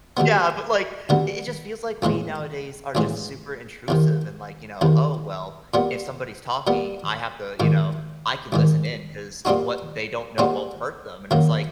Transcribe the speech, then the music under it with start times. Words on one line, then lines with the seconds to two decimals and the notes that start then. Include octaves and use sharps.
Yeah, but like, it it just feels like we nowadays are just super intrusive and like, you know, "Oh well, if somebody's talking, I have the you know, I can listen in 'cause what they don't know won't hurt them" and it's like,
0.17 D2 D3 G3 B3
1.09 D2 D3 G3 B3
2.02 A#1 A2 E3 G#3
2.95 A#1 A2 E3 G#3
3.88 E2 C3 D#3
4.81 E2 C3 D#3
5.74 A#2 G3 B3
6.67 A#2 G3 B3
7.60 A1 G#2 D#3
8.52 A1 G#2 D#3
9.45 A#2 G3 C4 D#4 F#4
10.38 A#2 G3 C4 D#4 F#4
11.31 F#2 D#3 F#3 A#3